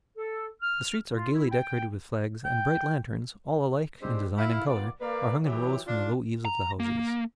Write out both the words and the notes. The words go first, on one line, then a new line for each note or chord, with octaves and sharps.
The streets are gayly decorated with flags, and bright lanterns--all alike in design and color--are hung in rows from the low eaves of the houses.
A4
F6
F4
E4
G5
G5
G3 G#3 C4 D4 G4 C5
E4 F5
D#3 B3 F4 D5
A#3 B4 D5
E3 F#3 G4
D4 F4
A#5
A#3